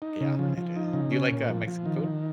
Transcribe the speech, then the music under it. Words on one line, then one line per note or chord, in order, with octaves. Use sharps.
Yeah, it is. Do you like, uh, Mexican food?
D#4
C#3
F3
F3
D#4
C#3
C#4
A#2
F3
F3
D#3
D#3